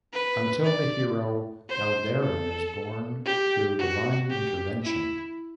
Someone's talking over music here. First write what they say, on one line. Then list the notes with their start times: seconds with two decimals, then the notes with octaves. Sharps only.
Until the hero Aldarin is born through divine intervention.
0.13 B4
0.64 D5
1.69 C5
2.22 A4
3.25 G4
3.78 F#4
4.30 G4
4.83 E4